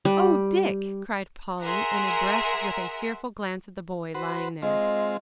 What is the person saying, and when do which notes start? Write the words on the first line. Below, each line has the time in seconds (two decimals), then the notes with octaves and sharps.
"Oh, Dick!" cried Polly in a breath, with a fearful glance at the boy lying there.
0.05 G3
1.63 G#4 A#4 E5 F#5 A#5 C6
4.14 F#4 B4 C5
4.62 G#3 C4 F4 D#5